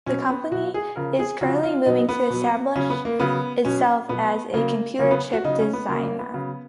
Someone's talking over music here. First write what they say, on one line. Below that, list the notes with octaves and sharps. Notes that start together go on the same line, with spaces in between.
The company is currently moving to establish itself as a computer chip designer.
B2 F#3 C#4
B3
B2 F#3 F#4
G#4
C#3 F3 A#4
G#4
C#3 F3 F#4
F4
B2 F#3 D#4
B3
B2 F#3
C#3 F#3 C#4
B3
A#3
C#3 F#3 B3
B2 F#3 C#4
B2 F#3 B3
C#3 F#3 A#3
C#3 F#3 A#3
B3
F#4
C#3 F#3 D#4
C#4
B3
C#3 F#3 A#3
A#3
B3
C#3 F#3